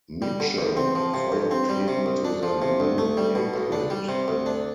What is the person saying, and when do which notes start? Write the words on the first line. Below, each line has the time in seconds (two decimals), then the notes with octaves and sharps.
Mitchell - followed him to the new imprint.
0.22 G3
0.40 D3
0.58 E2
0.77 C4
0.95 F3
1.14 C3
1.32 F2
1.51 C4
1.69 G3
1.88 C3
2.06 C2
2.25 D4
2.43 F3
2.62 C3
2.80 D2
2.98 A3
3.17 G3
3.35 B2
3.54 B1
3.72 D4
3.90 G3
4.09 C3
4.28 D2
4.46 D4